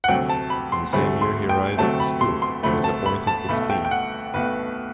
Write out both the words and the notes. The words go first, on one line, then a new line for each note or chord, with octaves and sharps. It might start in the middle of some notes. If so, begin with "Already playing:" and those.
In the same year he arrived at the School, he was appointed its dean.
F#5
D2 C3 F#3 A3 G5
A5
B5
C6
D2 C3 F#3 A3 B5
C6
G5
D2 C3 F#3 A3 A5
B5
C6
C6
D2 C3 F#3 A3 B5
A5
B5
A5
B1 B2 A3 B5
G5
G5
F#5
B1 B2 A3 B4